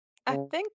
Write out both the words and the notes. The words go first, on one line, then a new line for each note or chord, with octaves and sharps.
I think
C#3